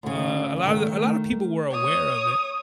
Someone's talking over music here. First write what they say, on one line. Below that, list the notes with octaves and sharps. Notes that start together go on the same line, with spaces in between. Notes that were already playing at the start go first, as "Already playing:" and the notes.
uh, a lotta a lotta people were aware of it,
D2 C#3
D#3 A3
C#5 D#6